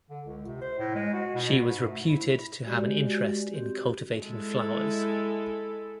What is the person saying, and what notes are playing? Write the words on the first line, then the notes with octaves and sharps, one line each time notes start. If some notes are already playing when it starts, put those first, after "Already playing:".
She was reputed to have an interest in cultivating flowers.
D3
C#2
C3
C5
A2
G#3
F#4
B2
G#2
A3
E4
G#3 F#4 G4 D5 D#5
C4 F#4 G4
G#3 E4 A4